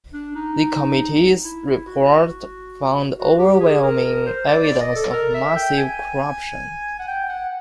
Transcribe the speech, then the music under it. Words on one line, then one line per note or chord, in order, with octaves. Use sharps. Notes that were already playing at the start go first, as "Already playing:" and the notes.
The committee's report found overwhelming evidence of massive corruption.
D4
D#4
E4
E4
F#4
F#4
G4
G#4
A#4
A#4
C5
D5
D5
D#5
A4
A#4
E5
G5
G#5
F#5
G5
F#5